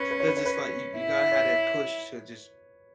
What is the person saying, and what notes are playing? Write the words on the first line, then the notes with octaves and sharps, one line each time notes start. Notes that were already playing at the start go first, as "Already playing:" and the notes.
'Cause it's, like, you you gotta have that push to just
Already playing: C#4 B4 C#5
B4
C#5
B4
C#5
B4
E4
C#5